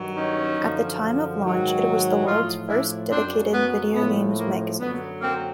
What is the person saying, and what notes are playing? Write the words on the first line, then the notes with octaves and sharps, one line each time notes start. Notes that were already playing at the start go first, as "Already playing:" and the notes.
At the time of launch it was the world's first dedicated video games magazine.
Already playing: G2 D#3 F#3
C#4 D#4
F#2 D3 F3
G#2 D#3 F#3
A2 F3 D#4 F4
D4 E4
F#2 C#3 F#3 C4 D4
B3
A2 F3 B3
A#3
F#2 D3 F#3 B3
A#3 C4